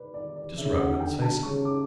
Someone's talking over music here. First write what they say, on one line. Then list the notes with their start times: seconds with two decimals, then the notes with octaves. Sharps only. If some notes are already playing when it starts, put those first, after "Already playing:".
"Does Rowland say so?"
Already playing: B4 D5
0.14 D5
0.36 D5
0.57 C#3 E5
0.79 F#5
1.00 D3 G5
1.22 A5
1.43 C#3 C#6
1.65 D6